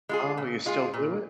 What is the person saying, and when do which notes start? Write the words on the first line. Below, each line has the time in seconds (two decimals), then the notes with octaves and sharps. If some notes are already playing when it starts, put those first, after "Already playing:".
Oh, you still do it?
0.09 G#3 F4 G#4
0.37 A#2
0.66 G#3 F4 G#4
0.94 A#2